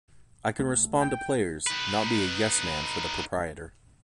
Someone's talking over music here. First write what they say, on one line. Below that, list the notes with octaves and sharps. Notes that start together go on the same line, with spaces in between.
I can respond to players, not be a yes-man for the proprietor.
E1 C2 A3
G5
D#4 B4